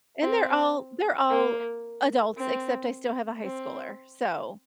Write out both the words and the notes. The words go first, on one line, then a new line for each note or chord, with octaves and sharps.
and they're all they're all adults, except I still have a high schooler, so
C4
A#3
C4
C4